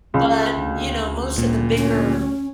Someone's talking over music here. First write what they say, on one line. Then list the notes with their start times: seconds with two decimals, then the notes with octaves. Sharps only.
But, you know, most of the bigger
0.14 C#2
0.58 D2
1.38 A#2
1.77 C#4